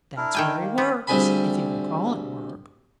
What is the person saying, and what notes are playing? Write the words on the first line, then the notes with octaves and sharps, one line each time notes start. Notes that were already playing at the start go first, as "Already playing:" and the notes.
That's where he works--if you can call it work.
D4 E4 A#4
D#3 G5 G#5
A#3
B3 G4 B5
D2 G3 C4 G#4 G#5 B5